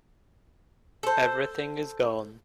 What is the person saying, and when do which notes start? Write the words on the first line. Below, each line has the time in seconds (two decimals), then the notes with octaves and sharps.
Everything is gone.
1.03 A4 C5